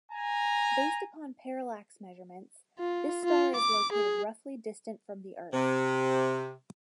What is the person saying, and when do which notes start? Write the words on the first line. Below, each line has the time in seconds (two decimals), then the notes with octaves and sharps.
Based upon parallax measurements, this star is located roughly distant from the Earth.
0.11 G#5 A#5
2.79 F4
3.24 F4
3.56 D6
3.92 G#4
5.53 C3